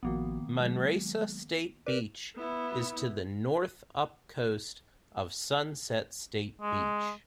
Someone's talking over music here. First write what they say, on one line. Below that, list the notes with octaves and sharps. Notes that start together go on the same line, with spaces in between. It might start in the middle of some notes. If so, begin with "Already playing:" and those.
Manresa State Beach is to the north-upcoast of Sunset State Beach.
A1 D#3 F3 A#3 B3 F#4
F#3 G#3
G4 A#4 B4 D5
B3 E4
G#3